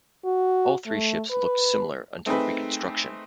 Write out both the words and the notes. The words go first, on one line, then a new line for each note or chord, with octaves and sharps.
All three ships looked similar until reconstruction.
F#4
A3
B4
A3 C4 D#4 G#4 B4